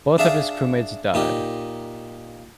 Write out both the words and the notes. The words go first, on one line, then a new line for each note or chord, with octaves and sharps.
Both of his crewmates died.
D4 G#4 E5 F5 A5
A#2 D#4 G4